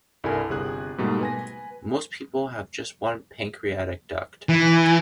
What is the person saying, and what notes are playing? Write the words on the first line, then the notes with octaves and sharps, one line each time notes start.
Most people have just one pancreatic duct.
C2 G2 E4 A4 A#4 G#5
G1 C3 G#4 F#6
G#2 B2 G3 A3 A#3
B4 G#5 A#6
E3